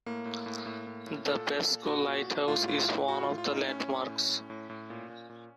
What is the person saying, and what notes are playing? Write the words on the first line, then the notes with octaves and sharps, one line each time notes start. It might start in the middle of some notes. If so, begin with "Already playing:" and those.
The Basco Lighthouse is one of the landmarks.
A2 A#3
A2
A2
A2
A2
A2
A#2 A4
A#2
A#2
A#2 F#4
A#2
A#2
A2 F4
A2 F4
A2
A2 F#4
F4
A2
F4
A2 D#4
A2 C#4
A2
A2
A2
A2
A2
A#2
A#2
A#2